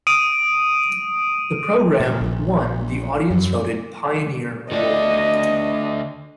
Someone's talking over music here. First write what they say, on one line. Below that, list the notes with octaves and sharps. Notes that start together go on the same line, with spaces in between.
The programme won the audience-voted "Pioneer Award".
D#6 D7 D#7
A#2
A#1
F#2
D3 A3 D5 D#5